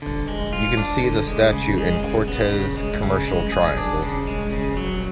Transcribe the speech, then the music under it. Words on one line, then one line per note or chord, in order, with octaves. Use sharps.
You can see the statue in Cortes Commercial Triangle.
D3
G#3
F4
D4
D3
G#3
C#3
G#3
C#3
B3
C#3
G#3
C#3
G#3
G#4
D4
C#3
G#3
C#3
F#3